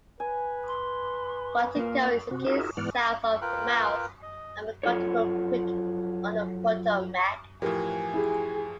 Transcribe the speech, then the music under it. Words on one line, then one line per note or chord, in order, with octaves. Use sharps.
Quantico is located south of the mouth of Quantico Creek on the Potomac.
B4 G#5
C6
A#3 F4 A#4
C3 C4 F#4
D#4 F4 F#4 G#4 A#4 E5
G#2 E3 B3 D5 F#5 F6
D#6
F4 A#4 B4 G5 F#6
D#5
F3 F#3 F4 A4 C#5
A2 E3 F3 G4 A#4 G#5
E4 G4 G#4